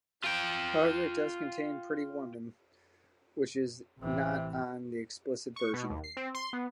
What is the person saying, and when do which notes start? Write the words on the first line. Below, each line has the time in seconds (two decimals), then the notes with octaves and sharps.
However, it does contain "Pretty Woman", which is not on the explicit version.
0.24 F4 G5
3.99 A1 C3 E3
5.56 C#6
5.73 B2
5.90 D#2
6.04 C7
6.17 C4
6.34 C6
6.53 B3